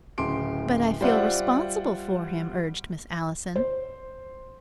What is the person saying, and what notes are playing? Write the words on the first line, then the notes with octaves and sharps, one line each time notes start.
"But I feel responsible for him," urged Miss Allison.
D1 C#3 C6 D7
G3 F4 C5 D5 E5 F#5
C5